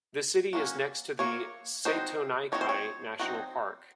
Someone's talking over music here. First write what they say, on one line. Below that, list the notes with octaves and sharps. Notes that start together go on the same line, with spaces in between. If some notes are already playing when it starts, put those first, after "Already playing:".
The city is next to the Setonaikai National Park.
F#3 A#3 C#4
F#3 A#3 C#5
F#3 C4 D#4 C5
F#3 C4 D#4 C#5
C5
C#5
F#3 C4 D#4